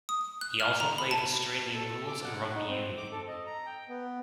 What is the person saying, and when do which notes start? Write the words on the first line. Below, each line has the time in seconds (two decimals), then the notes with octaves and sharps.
He also played Australian Rules and Rugby union.
0.09 D#6
0.41 F#6
0.60 F6
0.80 A#5
0.98 B5
1.11 A5
1.74 A4
2.08 D6
2.24 F#5
2.54 D#4
2.68 C4
2.97 D6
3.12 A4
3.27 D#5
3.46 A#5
3.66 G5
3.89 B3